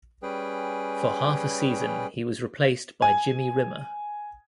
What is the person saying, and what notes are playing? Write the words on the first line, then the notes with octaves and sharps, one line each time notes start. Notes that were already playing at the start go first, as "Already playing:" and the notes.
For half a season he was replaced by Jimmy Rimmer.
G3 C#4 G#4 B4 G5
G#5